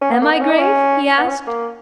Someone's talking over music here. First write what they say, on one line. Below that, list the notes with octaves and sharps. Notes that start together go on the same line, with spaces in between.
"Am I grave?" he asked.
C#4
B3
A#3
B3
C#4
D#4
C#4
B3
C#4
A#3